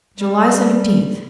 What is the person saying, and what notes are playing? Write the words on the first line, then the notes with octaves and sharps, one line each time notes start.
July Seventeenth.
G3